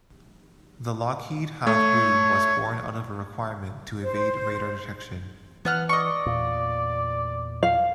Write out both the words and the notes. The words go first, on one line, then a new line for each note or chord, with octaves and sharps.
The Lockheed "Have Blue" was born out of a requirement to evade radar detection.
A3 C#5
C5
E3 B3 F#5 F6
D5 D#5 C#6
E2 A#2
F5